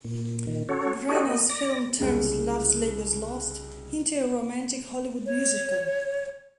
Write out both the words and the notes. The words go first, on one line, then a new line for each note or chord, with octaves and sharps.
Branagh's film turns "Love's Labour's Lost" into a romantic Hollywood musical.
A#2
A#2 D#3
C#4 F#4 A4 C#5
D#4 F#4 G4 A4 C#5 D#5
A#3 D#5
D5 A#6
C2 C#3 G#3
C#5